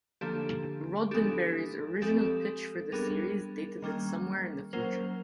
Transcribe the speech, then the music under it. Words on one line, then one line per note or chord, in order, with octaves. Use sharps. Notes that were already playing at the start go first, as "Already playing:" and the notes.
Roddenberry's original pitch for the series dated it 'somewhere in the future.
D3 F3 A#3 D4 G4 A4
F3 G#3 B3 D4 G4 A4
F3 G#3 C4 G4 A4
G3 B3 D4 G#4 A#4
D#3 G3 A#3 C#4
F#3 A#3 C#4 A#4 C5